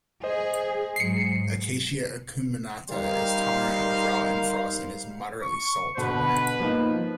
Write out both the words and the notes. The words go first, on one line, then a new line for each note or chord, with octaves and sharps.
"Acacia acuminata" is tolerant of drought and frosts and is moderately salt tolerant.
G#4 C5 D#5
G#2 F#3 C7 C#7
G3 D#4 A#4 C5 F5
C#6
B2 D3 B4
F3 A#3 D#4